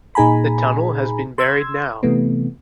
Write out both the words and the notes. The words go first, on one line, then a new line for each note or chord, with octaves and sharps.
The tunnel has been buried now.
A#2 D#4 G#4 G#5 A#5 B5
C6 E6 G#6
C3 E3 A3 B3